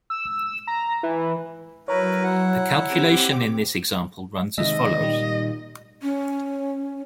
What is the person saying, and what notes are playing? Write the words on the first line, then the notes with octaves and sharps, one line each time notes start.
The calculation in this example runs as follows.
E6
A#5
E3
F#3 E4 A#4 B4 C#5 A#5
E4 F#5
C4 G4 D6
C3 D#3 G#3 D#5 E5
A#2 D#3 G3
C#4